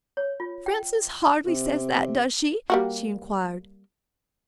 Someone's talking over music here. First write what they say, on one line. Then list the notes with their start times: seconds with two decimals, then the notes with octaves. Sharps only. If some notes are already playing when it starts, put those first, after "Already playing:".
"Frances hardly says that, does she?" she enquired.
0.17 C#5
0.40 F4
0.66 G5
1.47 C3
2.70 G3 A#3 F#4